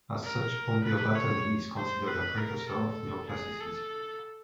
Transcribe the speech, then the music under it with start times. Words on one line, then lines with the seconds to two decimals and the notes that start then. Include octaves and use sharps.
As such Pompeo Batoni is considered a precursor of Neoclassicism.
0.23 A#4
0.84 B4
1.15 C#5
1.77 C5
2.07 B4
2.38 A#4
2.69 A4
3.29 G#4
3.60 A4